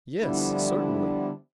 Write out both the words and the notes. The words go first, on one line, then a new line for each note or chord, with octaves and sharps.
Yes, certainly.
D3 F3 G3 B3 D4 E4